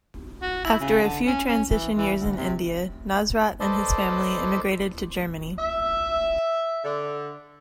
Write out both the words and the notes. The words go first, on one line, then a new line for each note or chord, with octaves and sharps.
After a few transition years in India, Nasrat and his family immigrated to Germany.
F#4
E4
C#3
D3
C#4
C#4
E3
E3
D2
C3
A4 B4 C5 D5 D#5 A5
E5
D3